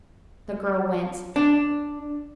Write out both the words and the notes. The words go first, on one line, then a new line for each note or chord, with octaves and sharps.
The girl winced.
D4